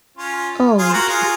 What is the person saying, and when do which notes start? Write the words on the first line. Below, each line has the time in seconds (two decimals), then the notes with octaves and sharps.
Oh, true.
0.17 C#4 F4
0.79 F4 G#4
0.89 C5
0.93 F#4 A#4
1.09 F4 G#4